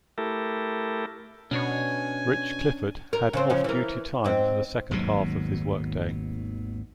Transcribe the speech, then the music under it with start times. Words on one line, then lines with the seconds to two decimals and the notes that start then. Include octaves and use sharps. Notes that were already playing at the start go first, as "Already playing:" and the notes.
Rich Clifford had off-duty time for the second half of his work day.
0.18 A3 E4 G4 A4 A#4
1.51 B2 C#4 D4 C#5 G#5
3.13 A#4
3.33 C#3 C4 C5
3.50 C#3 F3
3.64 E3 A#4
4.24 G#2 C4
4.91 G#1 D#2 B2 F#3